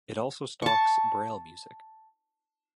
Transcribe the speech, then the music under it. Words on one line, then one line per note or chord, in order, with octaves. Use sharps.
It also stocks braille music.
A5 C#6